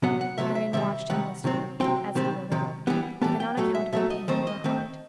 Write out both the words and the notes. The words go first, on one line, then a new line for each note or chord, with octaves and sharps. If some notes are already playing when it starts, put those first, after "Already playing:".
Marian watched him wistfully as he rode away, with an unaccountable pain in her heart.
C3 F#3 B3 F#5
F#5
C3 F#3 B3 E5
E5
C3 D#3 G3 E5
C3 D#3 G3 F#5
C3 D#3 F#3 C4
C3 D#3 F#3 C4 G5
C3 D#3 G3 C4
C3 D#3
E3 G3 B3
E3 G3 B3 A5
G5
B2 F#3 A3
E5
B2 F#3 A3 E5
D#5
D#3 A3 C4 C5
D#5
D#3 A3 C4